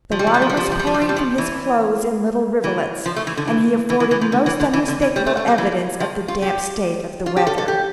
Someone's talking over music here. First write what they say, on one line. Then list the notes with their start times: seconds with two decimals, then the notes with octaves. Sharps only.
The water was pouring from his clothes in little rivulets, and he afforded most unmistakable evidence of the damp state of the weather.
0.11 F3
0.19 G3
0.27 F3
0.34 G3
0.42 F3
0.49 G3
0.57 F3
0.64 G3
0.72 F3
0.79 G3
0.87 F3
0.94 G3
1.02 F3
1.09 G3
1.16 F3
1.38 E3
2.64 E3
3.06 F3
3.16 A3
3.27 E3
3.37 D3
3.48 E3
3.90 E3
4.00 E3
4.11 E3
4.21 F3
4.32 D3
4.46 E3
4.60 D3
4.73 E3
4.88 D3
5.02 E3
5.16 G3
5.26 A3
5.37 A3
5.47 G3
5.58 E3
6.00 F3
6.28 F4
6.42 G4
7.26 F4
7.37 G4
7.47 A4
7.58 A4
7.68 G4